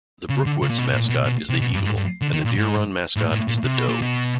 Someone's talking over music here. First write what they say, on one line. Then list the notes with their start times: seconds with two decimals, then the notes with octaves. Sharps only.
The Brookwoods mascot is the eagle and the Deer Run mascot is the doe.
0.30 C#3
0.46 D3
0.62 C#3
0.70 A#2
0.78 B2
0.94 A#2
1.09 B2
1.25 B2
1.49 C3
1.61 B2
1.74 G2
1.85 G#2
1.96 G2
2.22 D3
2.33 D#3
2.45 A#2
2.57 G#2
3.16 A2
3.32 A2
3.48 A#2
3.64 C3
3.77 B2
3.89 A#2
4.02 B2